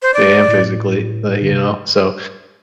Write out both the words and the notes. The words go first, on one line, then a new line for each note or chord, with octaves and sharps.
and physically, like, you know, so,
C5
D5
A2
D3
C3